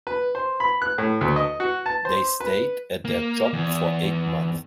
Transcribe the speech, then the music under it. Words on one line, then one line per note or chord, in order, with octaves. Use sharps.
They stayed at their job for eight months.
B4
C5
B5
F#6
A2
D2
D#5
F#4
A5
C5
B4
A#3
E2